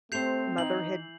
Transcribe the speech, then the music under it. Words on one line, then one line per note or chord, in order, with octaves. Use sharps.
mother had
A3 C4 G4 C5 G6 C7 F7
E3 D#4 F#7